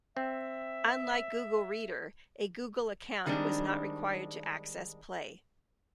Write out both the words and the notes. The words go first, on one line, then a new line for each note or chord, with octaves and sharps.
Unlike Google Reader, a Google Account was not required to access Play.
C4 E5
D#3 G3 G#3 C4 D4